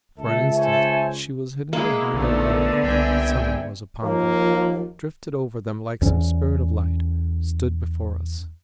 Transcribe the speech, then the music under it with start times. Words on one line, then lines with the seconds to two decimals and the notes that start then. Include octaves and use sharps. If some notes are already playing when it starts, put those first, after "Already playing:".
For an instant she was hidden behind their bulk; suddenly was upon them; drifted over them like some spirit of light; stood before us.
0.18 C#2 A4 E5
0.57 A4 C5 C#5 G#5
1.73 G#3 A#3 E4
2.14 A#1 D3 D#3 A3 B3
2.83 C2 E5 G5 G#5
4.02 D#2 F3 A#3
6.01 E2 C#4